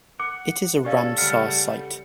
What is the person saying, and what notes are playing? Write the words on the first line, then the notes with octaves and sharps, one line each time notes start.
It is a Ramsar site.
F#5 D6
C#4 G4 A4 D5 F5
C#3 G3 A3 B4 F#5 F6